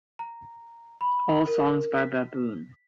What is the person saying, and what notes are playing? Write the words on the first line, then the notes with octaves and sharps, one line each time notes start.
All songs by Baboon.
A#5
B5
A#4
B6